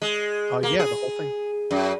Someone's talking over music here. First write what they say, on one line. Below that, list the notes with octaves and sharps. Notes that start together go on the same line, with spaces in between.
Uh, yeah, the whole thing
G#3
A#3
G#4
F#2